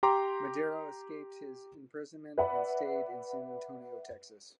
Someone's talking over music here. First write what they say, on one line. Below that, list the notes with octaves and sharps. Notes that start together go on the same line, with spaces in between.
Madero escaped his imprisonment and stayed in San Antonio, Texas.
G4 G5 A#5 C6 D6
B4 D5 E5 F#5 B5